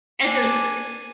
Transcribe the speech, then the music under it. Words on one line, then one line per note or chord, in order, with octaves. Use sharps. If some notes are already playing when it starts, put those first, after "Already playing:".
And there's I
D4 G#5